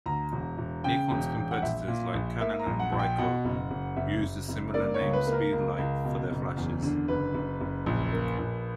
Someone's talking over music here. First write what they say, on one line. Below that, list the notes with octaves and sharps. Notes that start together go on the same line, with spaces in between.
Nikon's competitors like Canon and Ricoh use the similar name Speedlite for their flashes.
D2 A#5
E1
E1
C#3 G5
E1
E1
F#5
A#1 E5
A#2
A#1
A#3 E5
A#5
A#1
F#5
A#1
G5
B2 F#5
F#1
F#1
F#1 E5
F#1
F#1
A#3 D5
C#5
C#2
B4
A#3
A#4
C#2
C#2
B2
F#1
E2
D3
F#1 B4
F#1
F#1
A#1
A#3
A#1